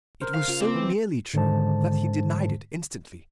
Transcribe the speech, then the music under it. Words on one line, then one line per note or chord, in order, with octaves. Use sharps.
It was so nearly true that he denied it instantly.
A#4 C5 F6
F5
C#3 F4
C4 D6
E3
G#2 D3 D#3 G#3 C5 A5